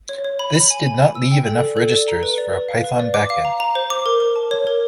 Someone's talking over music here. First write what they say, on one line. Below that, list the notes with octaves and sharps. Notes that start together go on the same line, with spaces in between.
This did not leave enough registers for a Python backend.
C#5
C#5
B5
B5
G#5
G#5
G#5
E6
G5
A4
D5
A4
D5
A#5
B4
D5
B4
F5
B4
D5
D6
F5
A#5
A#5
C5
D6
A#4
A#4
A5
C#5
A#4